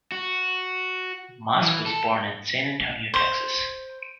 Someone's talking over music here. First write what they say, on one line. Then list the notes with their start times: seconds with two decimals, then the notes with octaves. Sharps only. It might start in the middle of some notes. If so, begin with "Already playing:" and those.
Mosk was born in San Antonio, Texas.
0.12 F#4
1.62 E3
1.86 A4
3.14 C5